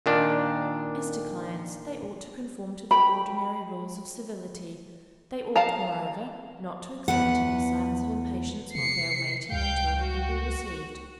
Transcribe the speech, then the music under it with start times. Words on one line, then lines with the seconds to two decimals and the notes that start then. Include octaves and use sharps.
As to clients, they ought to conform to the ordinary rules of civility; they ought, moreover, not to exhibit any signs of impatience while they are waiting until they can be received.
0.06 A#2 D#3 D4
2.91 G5 B5
5.56 F5 A5 A#5
7.08 E2 B4 F#5
8.75 C3 C7 C#7
9.52 C#2 F5 G5 G6
9.98 F#4